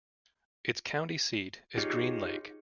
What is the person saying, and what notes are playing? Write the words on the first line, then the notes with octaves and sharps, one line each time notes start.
Its county seat is Green Lake.
D#4 F4 G4 G#4 C#5 D#5